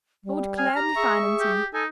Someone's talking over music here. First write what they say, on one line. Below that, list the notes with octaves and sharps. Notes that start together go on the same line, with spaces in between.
I would gladly finance him.
G3
G#5 F6
G4 A#5
G#4 E5 C#6
G4
D#4 A4 G#5